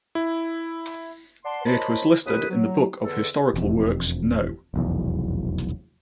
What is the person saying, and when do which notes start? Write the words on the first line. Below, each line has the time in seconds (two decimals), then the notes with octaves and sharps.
It was listed in the Book of Historical Works no.
0.15 E4
1.45 D5 F#5 A5 C6
1.65 A#4 C5 C#5 D#5 A5 B5
2.25 D#2 B4 D#6
2.49 F#3
3.04 E2 D3 A4
3.54 E1 F2
4.74 F1 B1 E2